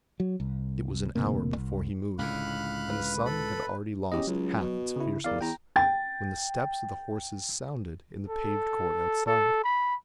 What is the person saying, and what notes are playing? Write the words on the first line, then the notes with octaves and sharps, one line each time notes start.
It was an hour before He moved, and the sun had already lost half its fierceness, when the steps of the horses sounded in the paved court outside.
F#3
C2
E1 D2 C3 A#3
C2
C#2 A2 D3 F5 B5 F#6
B4
A4 B5
E2 C#4 G4 D#5
C#2 F#3
B2
C#3 E4
E2 A#4 D5 F5
E2 G5 A#5
G5 A6
A4
A4
B5